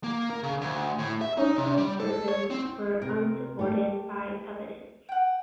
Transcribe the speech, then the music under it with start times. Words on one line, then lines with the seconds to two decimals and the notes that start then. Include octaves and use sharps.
Postal Service were unsupported by evidence.
0.04 A#3
0.30 A#4
0.43 C#3
0.61 D2
0.99 A2
1.21 E5
1.37 D#4
1.58 C3
1.78 G3
2.00 A4
2.28 C#5
2.50 C4
3.02 C3 A#4
3.59 A3 G4
5.09 F#5 G5